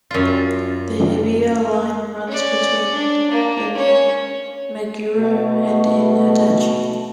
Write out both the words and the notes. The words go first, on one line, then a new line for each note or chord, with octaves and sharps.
The Hibiya Line runs between in Meguro and in Adachi.
F#2 F4
C#4 D5
D4
A#3
C#4 C#5
B2 A3